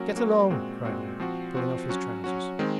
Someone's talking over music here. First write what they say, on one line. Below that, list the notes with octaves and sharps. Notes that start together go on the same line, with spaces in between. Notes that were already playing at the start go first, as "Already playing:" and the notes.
'Get along,' cried Luke, pulling off his trousers.
Already playing: F#3 A#3 C#4 F#4 A#4
F#3 A#3 C#4 F#4 A#4
A#2 G#3 C4 F#4
A#2 G#3 C4 F#4
F3 C4 F#4
F3 C4 F#4
F#3 C#4 F#4
F#3 C#4 F#4
D#3 G#3 C4